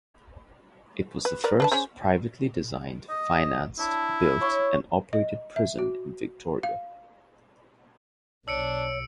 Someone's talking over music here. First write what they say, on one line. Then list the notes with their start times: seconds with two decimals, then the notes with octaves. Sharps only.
It was the first privately designed, financed, built and operated prison in Victoria.
1.25 B4
1.44 A#4 B4 D5
1.60 D4 B4 A5
1.72 C#4 G#4 C5
3.09 D#5
3.79 D4 E4
4.41 C#5 C6
5.13 D#5
5.56 E5
5.79 F#4
6.63 F5
8.48 B1 D4 C#5 E6 C#7 D7